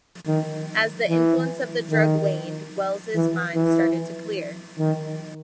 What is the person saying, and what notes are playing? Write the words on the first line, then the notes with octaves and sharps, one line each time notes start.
As the influence of the drug waned, Wells' mind started to clear.
D#3
E3
D#3
E3
E3
D#3